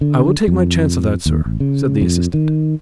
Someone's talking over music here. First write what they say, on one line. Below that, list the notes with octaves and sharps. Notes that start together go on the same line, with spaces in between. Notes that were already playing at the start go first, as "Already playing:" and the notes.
"I will take my chance of that, sir," said the assistant.
D3
F2
D#2
A1
C#3
F2
D#3